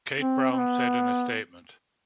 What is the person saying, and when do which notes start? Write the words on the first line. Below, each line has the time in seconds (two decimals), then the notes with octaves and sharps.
Kate Brown said in a statement.
0.20 C4
0.53 C4
0.59 B3